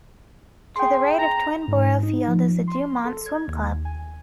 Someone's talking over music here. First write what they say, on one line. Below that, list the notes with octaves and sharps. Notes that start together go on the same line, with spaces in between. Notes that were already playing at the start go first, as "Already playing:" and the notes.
To the right of Twin Boro Field is the Dumont Swim Club.
G#4 G5 C6
A#5
G#2
D#4
F3
C6
A4
G#6
D#2
G#5